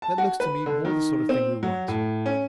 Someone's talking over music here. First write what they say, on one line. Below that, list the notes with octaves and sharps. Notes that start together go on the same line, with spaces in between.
That looks to me more the sort of thing we want.
A5
F#4
B4
D3
D#3
C4
F#3
A2
C#4